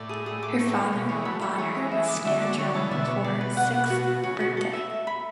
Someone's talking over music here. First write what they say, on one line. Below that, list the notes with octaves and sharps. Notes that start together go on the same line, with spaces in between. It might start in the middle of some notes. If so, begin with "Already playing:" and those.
Her father bought her a snare drum for her sixth birthday.
Already playing: A2 D5
G#4
G#4
D6
C#5
C#5
B2 C#5
E3 G#3 C#5
F#3 A3 B5
F#3 A3 C#5
E3 G#3 C#5
C#5
E5
D6
D3 F#3 E5
D6
D3 F#3 C#5
C#3 E3 A5
B2 D3 E5
B2 C#5
B2 D5
B4
B2 F#5
F#5
F#4
F#4
C#3 F#4
B2 F#4
A4
E5
E5
B5